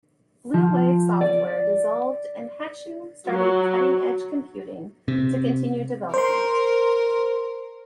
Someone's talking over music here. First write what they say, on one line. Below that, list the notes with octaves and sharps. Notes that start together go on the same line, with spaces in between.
Blue Wave Software dissolved and Hatchew started Cutting Edge Computing to continue development.
F3
D5
F#3
C3
A#4 C5 C6